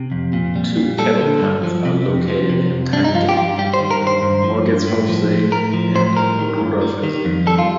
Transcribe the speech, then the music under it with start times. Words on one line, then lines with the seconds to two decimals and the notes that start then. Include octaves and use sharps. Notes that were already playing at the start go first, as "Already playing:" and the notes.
Two kettle ponds are located in Thayngen: Morgetshofsee and Rudolfersee.
Already playing: C3
0.12 F2
0.33 A#2
0.56 G3
0.77 A#2
0.98 G3 A4
1.21 D3
1.41 G2
1.64 F3
1.85 C3
2.06 F2
2.28 F3
2.50 C3
2.71 F2
2.92 G2 D4
3.04 D#4
3.14 F3 F4
3.29 G4
3.36 G2 F4
3.58 G3 G4
3.74 C5
3.80 D#3
3.91 A#4
4.01 G2
4.07 C5
4.22 G2
4.44 F3
4.66 G2
4.87 A2
5.09 F3
5.30 A2
5.51 A2 A#4
5.73 F3
5.95 A2 C5
6.17 G3 A#4
6.39 D#3
6.61 G2
6.81 G3
7.03 D#3
7.25 F2
7.47 G3 A4
7.59 F4